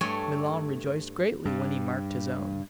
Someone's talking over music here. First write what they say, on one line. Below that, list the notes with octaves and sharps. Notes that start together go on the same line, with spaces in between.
Milon rejoiced greatly when he marked his own.
G2 A3 C#5 G#5
G2